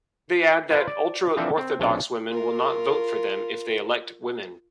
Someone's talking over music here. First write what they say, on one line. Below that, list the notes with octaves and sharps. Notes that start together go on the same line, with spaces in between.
They add that ultra-Orthodox women will not vote for them if they elect women.
F4 B4 C5
D5
E3 F3 C4 D4 A4 E5
C4
B1 C3 C#4 D4
F4 A#4